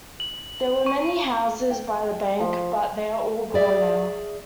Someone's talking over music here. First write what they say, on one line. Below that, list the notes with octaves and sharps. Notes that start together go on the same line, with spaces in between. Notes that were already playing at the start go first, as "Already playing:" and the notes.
There were many houses by the bank but they are all gone now.
F#7
C#6
G5
F3
G#4 D5 E5